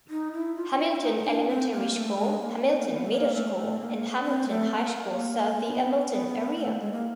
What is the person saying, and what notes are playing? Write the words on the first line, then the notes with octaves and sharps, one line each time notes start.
Hamilton Elementary School, Hamilton Middle School, and Hamilton High School serve the Hamilton area.
D#4
E4
F4
E4
D#4
D#4
D4
C4
A#3
A3
G#3
A#3
C4
A#3
C4
B3
A3
B3
A#3
A3
A3
A#3
C4
A3
A#3
B3
B3
A#3
A3
G#3
A#3